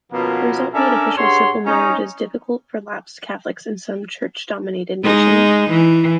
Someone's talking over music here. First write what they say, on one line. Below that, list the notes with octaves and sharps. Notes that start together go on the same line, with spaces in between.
The result made official civil marriages difficult for lapsed Catholics in some Church-dominated nations.
B2 D#3 F3 A#3 B3 C#4
C#4 D4 A4 A#4 D5 E5
G2 G#4 C#5 F#5 C6
C#4 D#4
G#3 D#4
E3